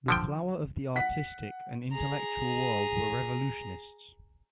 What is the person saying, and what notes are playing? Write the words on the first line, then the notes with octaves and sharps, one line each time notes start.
The flower of the artistic and intellectual world were revolutionists.
D3 F3 G5
F#5 B6
G#4 A#5